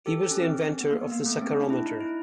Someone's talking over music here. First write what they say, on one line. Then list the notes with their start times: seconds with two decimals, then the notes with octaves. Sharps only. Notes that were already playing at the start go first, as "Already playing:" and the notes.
He was the inventor of the saccharometer.
0.06 G4 A4
0.21 G4
0.31 C#4
0.42 C4
0.81 B3
0.91 A#3
1.02 B3
1.12 A#3
1.26 A3
1.41 C4
1.56 D4
1.70 E4
1.86 D#4
2.01 E4